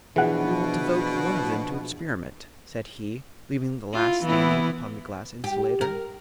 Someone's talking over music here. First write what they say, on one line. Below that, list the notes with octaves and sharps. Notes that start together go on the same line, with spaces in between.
"We will devote one of them to experiment," said he, leaving the last standing upon the glass insulator.
B2 E3 F3 D4 G#4 F#5
E4 F4
E3 B3 E4
G4
A#4